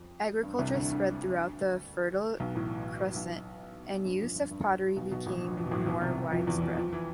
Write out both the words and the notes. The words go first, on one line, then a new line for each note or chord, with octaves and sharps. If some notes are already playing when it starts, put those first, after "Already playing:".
Agriculture spread throughout the Fertile Crescent and use of pottery became more widespread.
Already playing: F2
G2
C2 C3
D2 D3
D2 D3
B1 B2
A1 A2
B1 B2
G2
F2
G2
G2
B1 B2
B1 B2
A1 A2
G2
F2
B2
A1 A2
B1 B2
C2 C3
F2 F3
E2 E3
F2 F3
F2 F3
E3